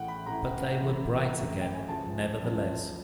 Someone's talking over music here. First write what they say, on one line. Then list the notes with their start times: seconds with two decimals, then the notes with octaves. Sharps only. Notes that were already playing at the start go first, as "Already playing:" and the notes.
But they were bright again, nevertheless.
Already playing: A1 A2 E3 F#5 G5
0.08 B5
0.26 A1 A2 E3 A#5
0.80 A1 A2 E3
1.34 A1 A2 E3
1.61 G5
1.74 G#5
1.89 C#2 C#3 F3 A5
2.43 C#2 C#3 F3